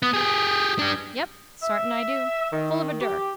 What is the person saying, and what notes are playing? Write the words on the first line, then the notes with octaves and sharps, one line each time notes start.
Yup, sartin I do. Full of a dure.
B3 D#6
G4 G#4
D4 G4
E5
D#3
G4